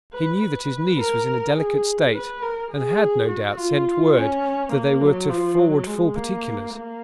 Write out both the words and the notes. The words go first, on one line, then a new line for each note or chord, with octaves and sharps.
He knew that his niece was in a delicate state, and had, no doubt, sent word that they were to forward full particulars.
B4
B4
A#4
G#4
B4
A#4
G#4
F#4
F4
C#4
A#3
F#3
F3
F#3
G#3
A#3
A#3